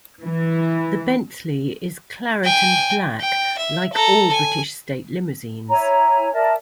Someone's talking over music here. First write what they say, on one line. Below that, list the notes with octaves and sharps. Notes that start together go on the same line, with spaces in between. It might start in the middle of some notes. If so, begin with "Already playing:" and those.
The Bentley is claret and black like all the British state limousines.
E3
G5 G#5
G5
E5
A4 A#5
G#5
E4 C#5 G#5 A#5
A#4 D5 E5 A5